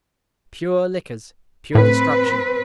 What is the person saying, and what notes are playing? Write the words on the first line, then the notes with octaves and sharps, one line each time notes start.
"Pure liquors:" pure destruction!
A2 C4 B4